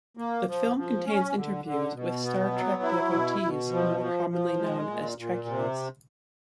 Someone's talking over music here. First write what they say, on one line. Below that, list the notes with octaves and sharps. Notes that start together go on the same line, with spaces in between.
The film contains interviews with "Star Trek" devotees, more commonly known as Trekkies.
A#3
F3
F3
C#4
D3
D3
B2
B3
F#3
E4
B2
B2
F3
F3
F3
G#3
A#2
A#2
C3